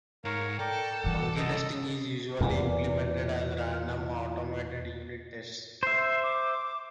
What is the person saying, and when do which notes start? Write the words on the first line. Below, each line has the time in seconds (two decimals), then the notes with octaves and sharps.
Monkey testing is usually implemented as random, automated unit tests.
0.25 G#2 A#4 C#5 F5
0.59 A4 A#4 D5 G5
1.04 G2 E3 D4 F#5
1.37 C2 B3 A4 D#5
2.41 E2 A#2
5.83 C5 E5 C7
6.23 D6